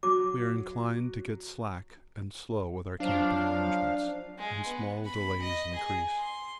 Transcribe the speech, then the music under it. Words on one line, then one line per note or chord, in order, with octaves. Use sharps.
We are inclined to get slack and slow with our camping arrangements, and small delays increase.
F#3 D6
F3 F#3 D4 F5
G#3
B3
B5
D#5
G#4
C6